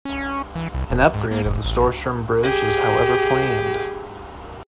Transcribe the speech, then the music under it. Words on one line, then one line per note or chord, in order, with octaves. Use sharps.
An upgrade of the Storstrom Bridge is however planned.
C#4
E3
C2
D#1
G#2
A#3
F1
A1
G4 G#4